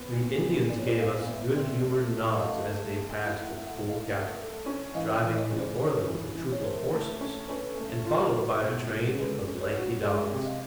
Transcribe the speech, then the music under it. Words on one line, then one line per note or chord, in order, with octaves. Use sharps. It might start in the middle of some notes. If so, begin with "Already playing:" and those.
The Indians gave us good-humoured nods as they passed at full gallop, driving before them a troop of horses, and followed by a train of lanky dogs.
Already playing: B3
A#2
B3
A#2 D5
C#5
C5 D5
B3 D#5 F5
F5
B3 D5 E5
C4 D5 E5
A3
A3
F#5
A3 D#5 F5
A3
A3
F#5
E4 D#5 F5
E5 F#5
A3
E5 F#5
A3
D#5 F5
A3 E5 F#5
A4
C#4
E3 D#5 F5
D5 E5
E3
C#5 D#5
C#3
C5 D5
C#3 B4 C#5
E3
E3
C#5
A3 A#4 C5
A3
C#4
C#4 A4 B4
A3
F4
F#4 A4 B4
B2
G#3
G#3 A4 B4
C#4
B4 C#5
F#4
G#3 D5 E5
C3
D#5 F5